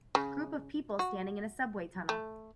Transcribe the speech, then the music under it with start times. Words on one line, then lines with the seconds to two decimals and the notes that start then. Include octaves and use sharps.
Group of people standing in a subway tunnel.
0.15 C#3
0.99 F#4
2.09 A3